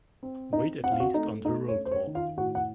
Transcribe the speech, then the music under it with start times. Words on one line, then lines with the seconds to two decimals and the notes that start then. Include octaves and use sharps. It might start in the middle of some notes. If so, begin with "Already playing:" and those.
Wait at least until roll call.
0.23 C4
0.52 C4 D#4 D#5
0.84 C4 F#5
0.92 F5
1.00 F#4 F#5
1.14 A3 D#4 D#5
1.45 A3 D#4 D#5
1.68 C#5
1.76 C#4
1.85 C5
1.91 C#5
2.07 D#3
2.15 F4 F5
2.37 A2 F#4 F#5
2.55 F#5